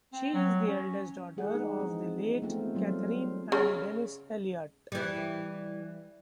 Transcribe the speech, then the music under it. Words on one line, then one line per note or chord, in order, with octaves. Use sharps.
She is the eldest daughter of the late Catherine and Denis Elliott.
C4
F#3
C#4
E3 G#3 G#4 F#5
D#4 G#4
E3 F3 C4
A3 B3 C4 F4
F#3 G3 F4
C#3
E3 G3